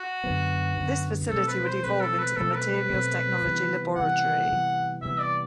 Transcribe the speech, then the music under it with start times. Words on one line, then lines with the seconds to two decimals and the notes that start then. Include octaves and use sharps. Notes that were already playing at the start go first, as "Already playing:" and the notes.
This facility would evolve into the Materials Technology Laboratory.
Already playing: F#4
0.24 F#2 D3 F#3 B3
0.77 F#2 D3 F#3 B3
1.30 B2 F#3 A3 C4 A4
1.48 B4
1.65 C5
1.83 B2 F#3 A3 C4 B4
2.01 A4
2.19 B4
2.36 B2 F#3 A3 C4 A4
2.54 B4
2.72 B4
2.89 B2 F#3 A3 C4
3.42 C3 E3 G3 B3
3.95 C3 E3 G3 B3 F#5
4.49 C3 E3 G3 B3
5.02 C3 E3 G3 B3 E5
5.20 D5